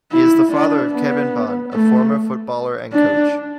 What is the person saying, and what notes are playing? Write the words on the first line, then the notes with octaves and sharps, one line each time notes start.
He is the father of Kevin Bond, a former footballer and coach.
E4
D4
B3
A3
D4